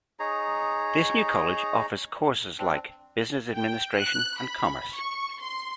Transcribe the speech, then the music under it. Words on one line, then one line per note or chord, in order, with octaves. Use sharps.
This new college offers courses like Business Administration and Commerce.
D#4 G#4 C#5 A#5
C4 D4
G5
F#6
B5
C#6
C6